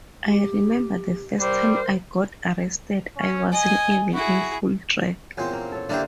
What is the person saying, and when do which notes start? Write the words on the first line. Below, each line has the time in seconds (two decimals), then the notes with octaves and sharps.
I remember the first time I got arrested, I wasn't even in full drag.
0.25 G4
1.40 G3 A#4 C5
3.16 C#4
3.52 D#5 G#5
4.13 E4 F#4 G#4
5.37 E2 A#2 C4 C#4
5.53 A#3
5.72 A4 C#5
5.89 D3 A#3 D4 E4 G4 C5